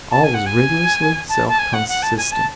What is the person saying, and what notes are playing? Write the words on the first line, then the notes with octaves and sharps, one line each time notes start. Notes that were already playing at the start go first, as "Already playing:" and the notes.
All was rigorously self-consistent.
A5
G#5
F#5
G#5
A5
A5
G#5
F#5
F#5
A5
G#5
A5